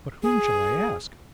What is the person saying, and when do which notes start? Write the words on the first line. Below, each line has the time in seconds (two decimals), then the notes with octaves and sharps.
But whom shall I ask?
0.23 G#4